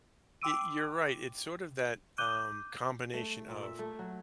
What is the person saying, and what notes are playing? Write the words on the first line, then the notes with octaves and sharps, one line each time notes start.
eh, you're right. It's sort of that, um, combination of,
G5 C6 D6 E6 D7 D#7
D6 F#6 G6 D#7 G7
A3
A#2
E5
A3
F#3